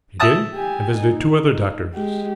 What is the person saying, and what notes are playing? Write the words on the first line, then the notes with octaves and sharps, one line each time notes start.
He did, and visited two other doctors.
E5 A5 D#6
G4 G#5
D#4
G#3 G4